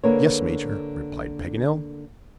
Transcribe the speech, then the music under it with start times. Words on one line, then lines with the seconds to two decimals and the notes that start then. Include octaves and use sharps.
"Yes, Major," replied Paganel.
0.04 D3 A#3 B4 C#5